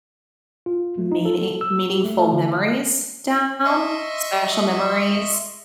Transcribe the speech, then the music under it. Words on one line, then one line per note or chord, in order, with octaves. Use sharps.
meaning meaningful memories down? Special memories.
F4
A3
D#4
A4
A4
E6
G4
A3
A3
D3
D#5 E5 C6 C#6